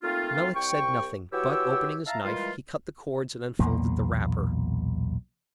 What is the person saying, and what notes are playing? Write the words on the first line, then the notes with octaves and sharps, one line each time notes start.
Melick said nothing, but, opening his knife, he cut the cords and unfolded the wrapper.
A3 A#3 C4 D#4 F4
C2 G5 C#6
E3 F#4 G4 C#5 G5 E6
E5 F5 A5 A#5
A#2 E3 G3 G#3 F4
B1 E2 A#2 A#3